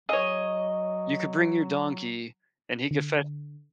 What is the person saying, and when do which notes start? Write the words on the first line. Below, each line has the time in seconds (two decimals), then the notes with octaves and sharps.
you could bring your donkey and he could fetch"
0.09 F#3 G#4 C#5 D#5
2.91 D3